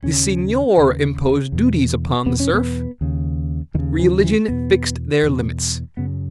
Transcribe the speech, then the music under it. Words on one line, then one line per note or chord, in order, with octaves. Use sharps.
The seignior imposed duties upon the serf; religion fixed their limits.
D#2 C#3 C#4
D#2 C#3
E2 B2
E2 B2 B3
C#4
B3
D#2 C#3
D#2 C#3 D#3
E3
E3
E2 B2 B3
E2 B2
F#2 C#3 B3